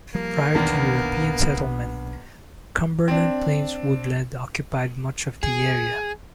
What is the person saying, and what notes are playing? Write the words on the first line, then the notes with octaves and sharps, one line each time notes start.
Prior to European settlement, Cumberland Plains Woodland occupied much of the area.
F3 G3 A#3
B1 E2 A#2 D#3 B3 D4
C4 D4
G#4